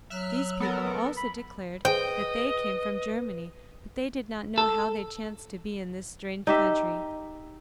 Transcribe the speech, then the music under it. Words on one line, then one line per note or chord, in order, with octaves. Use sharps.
These people also declared that they came from Germany, but they did not know how they chanced to be in this strange country.
F#3 E5 F6 F#6
B3 A4 A#4
B5
G#4 B4 C5 D#5 G5
A4
D#4 G4 E5